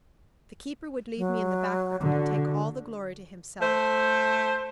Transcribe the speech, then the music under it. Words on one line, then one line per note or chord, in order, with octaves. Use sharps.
The keeper would leave me in the background, and take all the glory to himself.
F#3
D3 F#4
A3 C5